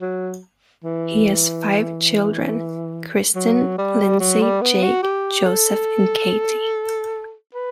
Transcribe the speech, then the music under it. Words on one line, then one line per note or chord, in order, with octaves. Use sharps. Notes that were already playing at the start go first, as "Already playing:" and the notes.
He has five children: Kristin, Lindsey, Jake, Joseph and Katie.
F#3
E3
F#3
G3
F#3
G3
B3
F#4
G4
A4
B4